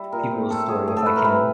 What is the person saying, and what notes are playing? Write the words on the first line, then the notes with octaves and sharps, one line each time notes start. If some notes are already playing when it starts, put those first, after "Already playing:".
people's story if I can.
Already playing: G3 E4
A#2 A#4
C4
A2 A4
F#3 G#4
A2 G#4
A4
A3 B4
A#4
C3 B4